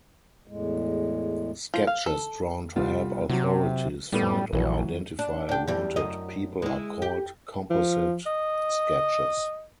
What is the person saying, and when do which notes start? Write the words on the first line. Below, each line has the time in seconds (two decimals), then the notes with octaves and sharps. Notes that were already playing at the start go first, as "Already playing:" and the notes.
Sketches drawn to help authorities find or identify wanted people are called composite sketches.
0.47 E2 A2 G#3
1.74 F3
1.87 F5
2.06 A4
2.76 C2 G3 F4
3.30 C3 F#3
4.12 A2 G3 B3 D#7
4.53 A#1 E3 F#3
5.19 D4
5.49 D4 G4
5.67 E2 G3
5.96 F#2 D#5
6.62 G#3 E4
7.02 G4
7.70 F3
8.26 D#5